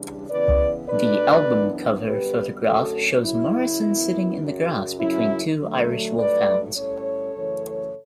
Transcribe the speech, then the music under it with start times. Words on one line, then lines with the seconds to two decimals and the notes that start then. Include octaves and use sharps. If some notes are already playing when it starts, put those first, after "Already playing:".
The album cover photograph shows Morrison sitting in the grass between two Irish Wolfhounds.
Already playing: C#3 E3 G3 D4
0.29 C#3 E3 B3 B4 D5
0.88 B2 A3 D4 B4 D5
1.47 F#2 E3 B3 D4
2.05 F#2 D3 G3 B3 G4 B4
2.64 F#2 D3 A3 C#4 F#4 A4
3.23 F#2 C#3 F#3 E4
3.81 F#2 E3 B3
4.40 F#2 C#3 F#3
4.99 F#2 C#3 F#3 C#4 E4
5.58 D3 F#3 A3
6.17 G2 F#3 A3 B4 D5
6.75 A2 G3 C#4 A4 C#5
7.34 F#2 C#3 E3 A3